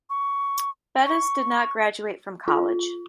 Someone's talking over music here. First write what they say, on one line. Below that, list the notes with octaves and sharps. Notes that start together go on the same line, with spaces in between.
Bettis did not graduate from college.
C#6
C#6
F4